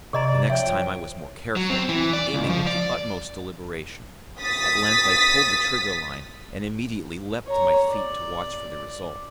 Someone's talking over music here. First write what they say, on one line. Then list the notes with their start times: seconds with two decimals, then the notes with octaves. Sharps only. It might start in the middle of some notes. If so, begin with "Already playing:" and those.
The next time I was more careful, aiming with the utmost deliberation. At length I pulled the trigger-line, and immediately leapt to my feet to watch for the result.
0.13 C3 G#4 D5 D#5 A#5
0.28 D5
0.50 F3 C#5 E5 G5
1.56 F#3
1.70 C4
1.89 E3
2.13 D5
2.33 C#2
2.49 F3
2.67 D5
4.40 D#6 A6 B6
7.47 C#5 A#5
7.90 D5